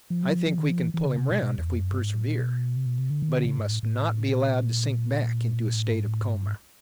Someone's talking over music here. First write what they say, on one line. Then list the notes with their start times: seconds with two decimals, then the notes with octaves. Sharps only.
I think we can pull him round if we persevere, but he must not be allowed to sink back into a state of coma.
0.10 F3
0.23 F#3
0.34 F3
0.46 F3
0.58 D#3
0.71 F3
0.83 E3
0.94 E3
1.07 C#3
1.18 C3
1.31 B2
1.43 B2
1.58 E2
1.68 F2
1.79 F#2
1.91 G2
2.02 G#2
2.15 A2
2.26 A#2
2.39 B2
2.76 C3
2.86 B2
2.98 C3
3.10 D3
3.22 D#3
3.34 D3
3.46 C#3
3.58 G#2
3.71 A2
3.83 A2
4.30 A#2
5.74 A2
5.91 G#2
6.06 A2
6.23 G#2
6.34 G2
6.47 G#2